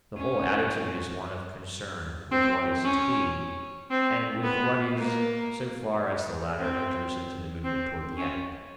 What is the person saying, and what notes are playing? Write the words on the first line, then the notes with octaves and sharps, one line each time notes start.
The whole attitude is one of concern with what is to be, and with what is so far as the latter enters into the movement toward the end.
C#4
C4
C#4
C4
B3
A#3
C4
C4
C#4